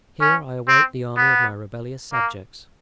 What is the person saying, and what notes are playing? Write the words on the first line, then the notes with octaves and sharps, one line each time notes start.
Here I await the army of my rebellious subjects.
C#4
C4
B3
A#3